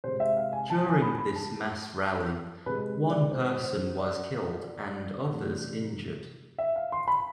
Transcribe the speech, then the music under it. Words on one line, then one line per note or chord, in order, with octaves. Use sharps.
During this mass rally, one person was killed and others injured.
C3 G#3 C5
E5
F5
G#5
A5
G#5
B5
B5
A5
C3 G#3 B4
D5
C5
C5
D5
C3 E3 A3
E5
F5
C6
B5